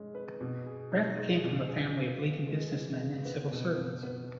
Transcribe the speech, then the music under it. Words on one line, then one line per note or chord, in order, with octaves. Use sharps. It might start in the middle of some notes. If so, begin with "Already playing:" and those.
Bratlie came from a family of leading businessmen and civil servant.
Already playing: G#3 C#4
B4
B2
G#4
D#4
G#3
B2
G#4
C#3
B3
G#3
E3
C#3
B3
B2
B2
B3